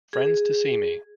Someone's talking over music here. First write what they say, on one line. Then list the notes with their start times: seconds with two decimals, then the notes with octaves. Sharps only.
Friends to see me!
0.13 G#4